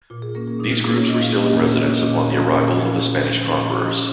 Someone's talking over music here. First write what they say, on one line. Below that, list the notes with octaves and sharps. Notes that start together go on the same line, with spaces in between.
These groups were still in residence upon the arrival of the Spanish conquerors.
A#2 F4
G#4
A#3 C#4 A#4
G#4
A#2 D#4
F4
A#3 C#4 G#4
C#5
A#2 D#5
F5
A#3 C#4 D#5
D#5
A#2 C#5
D#5
A#3 C#4 C#5
D#5
A#2 D#5
D#5
F3 C#4 D#5
F5
A#2
F3 C#4
A#2
F3 C#4
A#2 D#5
F3 C#4 D#5